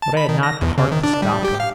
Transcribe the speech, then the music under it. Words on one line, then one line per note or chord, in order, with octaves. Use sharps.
But I had not the heart to stop him.
A5
B5
D#3
A#6
E2
C#3
D#3
D4
G3
G4
F5